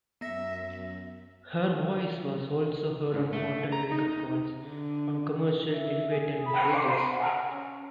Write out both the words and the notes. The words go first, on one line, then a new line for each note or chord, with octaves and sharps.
Her voice was also heard on hotel wake up calls and commercial elevator messages.
F#2 B3 E5 A#6
G#2
A3
A#5
D#4
D3
E5
G#4
B5
C5
F#5
C#4